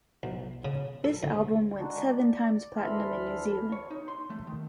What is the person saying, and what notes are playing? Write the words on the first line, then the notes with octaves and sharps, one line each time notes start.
This album went seven times platinum in New Zealand.
B1
C#3
A4
D2
G#3 D4 D#4 F#4
D5
D2 E3 A4 B5 C6 F6
C#5
D#4
C6
A3
D#3